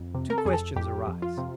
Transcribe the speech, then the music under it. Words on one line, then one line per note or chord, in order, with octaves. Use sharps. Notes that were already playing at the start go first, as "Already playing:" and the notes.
Two questions arise.
Already playing: F2
C3
A#4
A4
F2 G#4
A4
F2 G4
F2
F4
C3